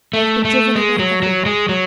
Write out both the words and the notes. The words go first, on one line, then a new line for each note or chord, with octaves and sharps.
"I have been driven away everywhere."
A3
A3
G#3
F#3
F#3
G#3
F#3